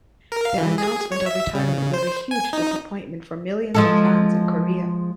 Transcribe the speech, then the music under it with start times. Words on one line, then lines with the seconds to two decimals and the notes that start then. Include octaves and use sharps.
Their announcement of retirement was a huge disappointment for millions of fans in Korea.
0.32 A#4
0.45 F5
0.58 E3
0.78 G#4
1.12 C#5
1.26 E5
1.55 C#3
1.94 C5
2.31 G#5
2.53 D#4
3.74 F3 G#3 A4